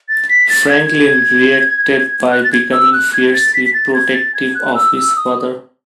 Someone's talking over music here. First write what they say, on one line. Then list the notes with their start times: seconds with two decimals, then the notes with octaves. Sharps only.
Franklin reacted by becoming fiercely protective of his father.
0.09 A6
0.29 B6
0.50 A6
0.70 G#6
0.90 G#6
2.32 F#6
2.44 A6
2.53 G#6
2.72 E6
2.93 F#6
3.13 G#6
3.34 A6
3.54 B6
3.65 B6
3.74 A6
3.94 G#6
4.14 A6
4.35 G#6
4.55 F#6
4.75 E6
4.95 E6
5.16 D#6